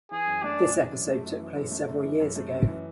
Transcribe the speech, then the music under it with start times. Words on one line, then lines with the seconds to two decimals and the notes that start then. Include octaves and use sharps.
This episode took place several years ago.
0.11 E3 G#4
0.26 F#2
0.43 A3 D4
0.59 F#2
0.75 E3
0.91 F#2
1.07 A3
1.23 F#2
1.40 E3
1.55 F#2
1.71 A3
1.87 F#2
2.03 E3
2.20 F#2
2.36 A3
2.51 F#2
2.68 E3